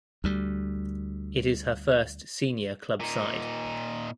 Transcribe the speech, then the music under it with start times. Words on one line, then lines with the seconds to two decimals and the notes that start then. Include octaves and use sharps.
It is her first senior club side.
0.24 D2 G3
3.00 A#2 D#4